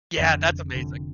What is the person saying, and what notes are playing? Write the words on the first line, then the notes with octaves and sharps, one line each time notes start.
Yeah, that's amazing.
F1 F2 D3
F1 F2 D3